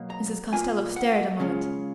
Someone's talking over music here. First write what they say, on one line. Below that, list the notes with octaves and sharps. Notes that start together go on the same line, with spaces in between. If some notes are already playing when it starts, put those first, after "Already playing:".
Mrs. Costello stared a moment.
Already playing: B2 F#3 A#3
A#5
B2 A#3 F4 G#5
F#5
C#3 G#3 C#4 F4